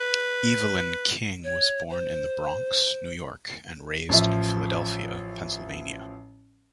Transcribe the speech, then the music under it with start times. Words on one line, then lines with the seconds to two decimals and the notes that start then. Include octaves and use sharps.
Evelyn King was born in The Bronx, New York, and raised in Philadelphia, Pennsylvania.
0.01 B4
1.44 C#5
1.90 C5
4.09 A1 F3 E5